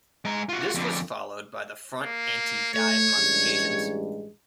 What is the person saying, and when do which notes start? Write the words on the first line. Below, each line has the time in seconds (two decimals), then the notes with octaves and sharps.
This was followed by the front anti-dive modifications.
0.25 G#3 A#5
0.49 F4 F#4
0.74 F2 D3
2.03 A#3
2.74 A3 C#5
3.14 A1 G2 G#3